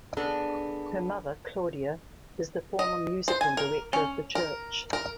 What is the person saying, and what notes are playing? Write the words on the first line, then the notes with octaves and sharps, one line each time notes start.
Her mother, Claudia, is the former musical director of the church.
B3 D4 G#4 A4
D#5
C5
G#5
A#4
C#4
A#4
A#4